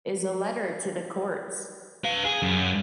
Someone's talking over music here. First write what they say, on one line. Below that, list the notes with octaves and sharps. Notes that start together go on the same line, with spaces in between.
is a letter to the courts.
B4 F5
G#4
F#2